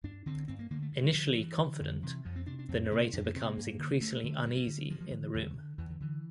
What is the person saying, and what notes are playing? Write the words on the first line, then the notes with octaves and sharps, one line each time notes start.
Initially confident, the narrator becomes increasingly uneasy in the room.
G2 D4
D3 C4
G2 C4
A#3
D3 A#3
A3
G2
G3
D3 F3
G2 E3
D3
F2 D3
C3 E3
F2 F3
C4
C3 D4
D4
F2 C4
C3 A#3
F2 D4
A#3
C3 C4
A#3
G2
D3
G2 A3
D3
G2 G3
D3
G2 F3
F3
D3 F3
E3
E2 D3
D3
E2 E3
D3
D3 E3